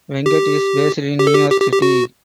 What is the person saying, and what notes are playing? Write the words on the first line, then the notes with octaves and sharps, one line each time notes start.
Venkat is based in New York City.
G4
G4
A4
G4
G4
G4
G4
F#4